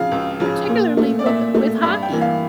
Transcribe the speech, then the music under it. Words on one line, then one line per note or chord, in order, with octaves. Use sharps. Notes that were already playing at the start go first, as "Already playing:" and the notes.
Particularly with with hockey.
Already playing: C#3 F3 F5
C#2
C#3 F3
A#2
A3
D5
A#2 E5
A3
G2 E5
G5
E3 A#3
F5